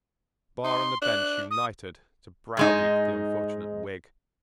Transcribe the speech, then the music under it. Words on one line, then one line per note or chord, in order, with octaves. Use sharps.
The bar and the bench united to browbeat the unfortunate Whig.
D#4 C6
D4 F#6
D#6
G#2 G#3 D#4